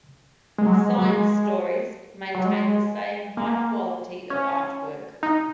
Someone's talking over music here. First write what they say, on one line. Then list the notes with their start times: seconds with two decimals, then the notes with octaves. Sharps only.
"Science Stories" maintained the same high quality of artwork.
0.58 G#3
0.66 F#3
0.73 G#3
0.98 F#3
1.05 G#3
2.35 F#3
2.45 G#3
3.37 A#3
4.30 C#4
5.23 D#4